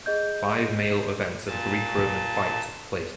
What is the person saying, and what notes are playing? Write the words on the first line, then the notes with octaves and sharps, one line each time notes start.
Five male events of Greek-roman fight took place.
G#4 D#5 G6
A#2 A5